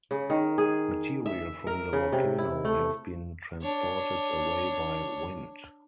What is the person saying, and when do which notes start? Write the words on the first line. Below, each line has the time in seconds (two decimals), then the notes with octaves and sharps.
Material from the volcano has been transported away by wind.
0.11 C#3
0.30 D#3
0.58 G#4
1.26 E5
1.67 A#4
1.93 C#3
2.12 C3
2.38 E4
2.65 A3
3.61 D4 C#5